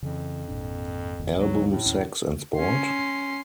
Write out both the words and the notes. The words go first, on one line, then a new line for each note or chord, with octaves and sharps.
Album Sex and Sport?
F2 C#3 E3
G#1 A#2 D4
F#1 D#2 A#2
D2 G2 B2 F#3
A2
D#2 C#4
C#4 C6